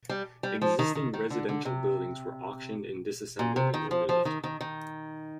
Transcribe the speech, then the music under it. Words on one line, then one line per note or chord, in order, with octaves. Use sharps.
Existing residential buildings were auctioned and disassembled and removed.
G3
G3
F3
D#3
D#3
D#3
D3
D3
C3
A#2
C3
D#3
F3
F3
D#3
D#3
D#3